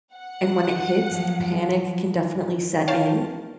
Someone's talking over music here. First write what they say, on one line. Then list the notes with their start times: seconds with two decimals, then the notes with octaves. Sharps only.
and when it hits, the panic can definitely set in.
0.14 F#5
1.11 F3 F#3
2.88 C#5 F5 G5 A5